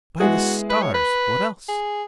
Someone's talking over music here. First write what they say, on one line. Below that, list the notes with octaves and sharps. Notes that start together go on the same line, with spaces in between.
By the stars, what else?
G#3 B3 E4 F#4 G#4
B4
C#5
B4
G#4